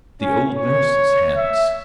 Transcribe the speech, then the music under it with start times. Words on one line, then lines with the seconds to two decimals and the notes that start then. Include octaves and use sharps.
The old nurse's hands.
0.21 C#4
0.56 C#5
1.36 E5